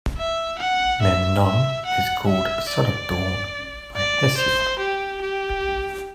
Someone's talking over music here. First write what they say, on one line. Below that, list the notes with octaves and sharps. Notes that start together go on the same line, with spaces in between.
Memnon is called "son of Dawn" by Hesiod.
E5
F#5
E5
E5
F#5
E5
D5
D5
C5
G4
G4